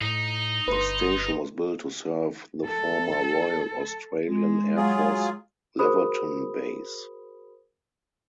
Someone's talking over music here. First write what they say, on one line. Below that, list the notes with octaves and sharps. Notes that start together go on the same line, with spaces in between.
The station was built to serve the former Royal Australian Air Force Laverton base.
A2 D#4
G1 B4 C6
A4
G#3
F#3 F4 G#4
F#4 G#4 A#4 C5 B5 D#6